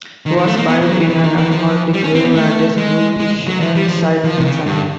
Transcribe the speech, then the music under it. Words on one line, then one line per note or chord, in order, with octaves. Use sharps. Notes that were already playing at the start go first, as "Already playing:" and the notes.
He was buried in an unmarked grave, and his burial site remains unknown.
D#3
E3
A3
A#3
B3
F3
F#3
E3
E3
D#3
E3
F3
G3
C#4
C4
B3
A3
G#3
G#3
F#3
F3
G3
F3
F3
C3
C#3
G2